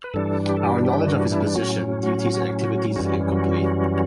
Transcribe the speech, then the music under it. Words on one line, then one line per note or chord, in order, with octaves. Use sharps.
Our knowledge of his position, duties, and activities is incomplete.
B4
G2 E3 G3 D4 A4
G4
A4
G4
G4
F#4
E4
A2 F#3 C#4 F#4
F#4
F#4
F#4
F#2 E3 G3 C#4 F#4
F#4